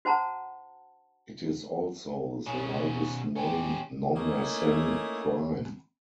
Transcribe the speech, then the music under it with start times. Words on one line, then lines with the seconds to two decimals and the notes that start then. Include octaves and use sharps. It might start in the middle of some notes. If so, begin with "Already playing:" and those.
It is also the largest known non-Mersenne prime.
0.05 F#4 C5 F#5 A5 A#5
2.46 B2 C#4
3.36 C#4 G4
4.14 A3 A#3 C#4 D#4 E4 A4